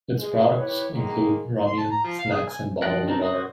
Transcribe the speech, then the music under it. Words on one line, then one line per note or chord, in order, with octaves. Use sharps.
Its products include ramyun, snacks, and bottled water.
G#3
E4 G4 B4 C#5
D#3 G#3 A#3
C6
A5
A#5
F3
F5
G#4
G#5
F3 D5 D#5 G5 F#6
C4 D4 D#4
F#4 C5 D#6